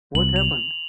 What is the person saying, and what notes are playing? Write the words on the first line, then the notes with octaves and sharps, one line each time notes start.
What happened?
C2 F#7
F7